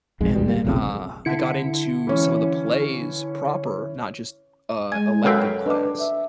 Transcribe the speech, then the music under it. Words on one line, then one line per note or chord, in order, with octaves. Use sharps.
And then, uh, I got into some of the plays proper, not just, uh, elective class,
B1 F2 G#3
D#2 G#2 B2 G3
G3 A#3
F1 B1 F2 C#3
D3 E4 C#7
E3 C#4
G#3 G#5 G#6
F#2 A4 B4 C#5 F5 G5 E6
D4 B4 D#5 D6
E5